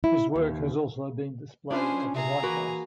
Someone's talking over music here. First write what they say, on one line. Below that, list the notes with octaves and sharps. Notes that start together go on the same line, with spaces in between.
His work has also been displayed at the White House.
E4
D#2
C#4 D4 F4 G#4 B4 C5
C3 G#4 A#5
E3 A#3 F#4 B4